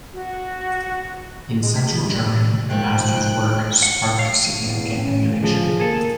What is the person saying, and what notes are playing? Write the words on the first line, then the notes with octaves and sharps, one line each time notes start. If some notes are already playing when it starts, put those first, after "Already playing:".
In Central Germany, the master’s work sparked significant emulation.
F#4
G#3
B6
F3
G2
E6
D#3 F3 G#3 G5 F#6
F#5
F5
E2
C#4
D2 F3 G#4
A#3 G#4 A4